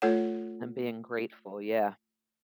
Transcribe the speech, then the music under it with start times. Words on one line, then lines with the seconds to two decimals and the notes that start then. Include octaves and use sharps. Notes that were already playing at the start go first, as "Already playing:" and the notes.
And being grateful. Yeah.
0.02 A3 F4 A4 C#5 F#5